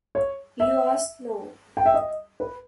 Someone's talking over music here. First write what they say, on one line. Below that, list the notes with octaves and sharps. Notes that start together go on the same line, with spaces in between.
You are slow!
C#5
E5
G5
E5
D#5
B4